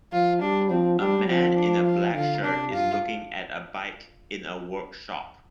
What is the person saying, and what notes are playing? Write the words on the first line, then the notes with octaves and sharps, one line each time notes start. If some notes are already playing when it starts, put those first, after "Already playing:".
A man in a black shirt is looking at a bike in a workshop.
F3 F4
G3 D4
F3 C4
G3 D4
F3 C4
D4
F4
D3 F4
C3 D4
G2 F4